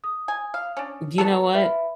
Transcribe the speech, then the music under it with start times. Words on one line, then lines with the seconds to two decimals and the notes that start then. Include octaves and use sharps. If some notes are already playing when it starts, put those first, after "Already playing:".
Do you know what?
0.04 D#6
0.28 G#5
0.54 F5
0.77 C#4 D4
1.18 B3 F#4 A4
1.54 F4 B4 E5 B5